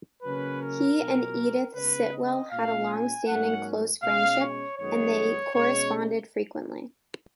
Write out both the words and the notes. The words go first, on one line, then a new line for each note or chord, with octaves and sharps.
He and Edith Sitwell had a long-standing close friendship and they corresponded frequently.
C#3 F#3 A#3 C#4 B4
A#4
B2 F#3 C#4
C#3 G#3 B3 B4
D#5
A#2 G#3 C#4 F5
G#5
G#2 F#3 A#3 C#4 F#5
B2 G#3 C#4 F5
C#5
F#2 D#3 G#3 B3 C#5
B2 G#3 C#4 C#5